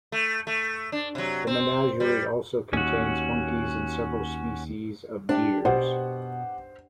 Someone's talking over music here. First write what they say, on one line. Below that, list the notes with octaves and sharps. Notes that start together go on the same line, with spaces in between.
The menagerie also contains monkeys and several species of deers.
A3
A3
D4
C3 F#3
C4
G3
D#2 C#4 F#4
D4 G4
B2 G4 C5 F#5